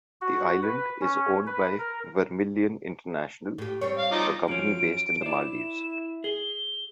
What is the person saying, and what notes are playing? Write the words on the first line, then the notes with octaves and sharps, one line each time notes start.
The island is owned by Vermilion International, a company based in the Maldives.
F#4
B4
C#4
B4
A#4
A2 G4
G3 C4 C#5
F5
F3 D#4 D6
F#2 F3 C#4 D7
E4 C5 D5 E7
G#4 G7